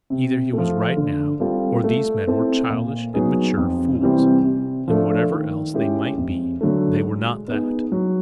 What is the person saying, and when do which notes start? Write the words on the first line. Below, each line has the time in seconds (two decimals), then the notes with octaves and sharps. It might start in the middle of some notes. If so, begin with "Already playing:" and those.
Either he was right now, or these men were childish, immature fools--and, whatever else they might be, they were not that!
0.10 C3
0.53 F3 A3
0.97 D3
1.40 G3 C4 F4 A4
1.84 A3
2.27 C4 E4 A4
2.70 A#2
3.14 F#3 B3 D#4 G#4
3.57 F2
4.00 C3 E3 G3 C4
4.45 C3
4.88 F3 A3 D4
5.31 D#3
5.74 G#3 C#4 E4 G4
6.17 F2
6.61 D3 F#3 A3
7.05 G#3
7.48 B3 D#4 G#4
7.92 F#3